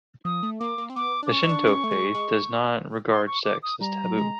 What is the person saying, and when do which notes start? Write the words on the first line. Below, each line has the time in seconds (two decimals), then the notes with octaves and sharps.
The Shinto faith does not regard sex as a taboo.
0.25 F3 D#6
0.43 A3
0.60 A#3 D6
0.78 A#3
0.90 C4
0.96 B3 D6
1.23 D4
1.27 D6
1.32 C#4 C#6
1.43 D#4
1.49 D4
1.67 C#4
1.84 A3
1.91 G#3
2.14 G#3
3.10 C6
3.27 C#6
3.45 D6
3.63 D#6
3.81 G3 A#5
4.04 F#3
4.18 G#3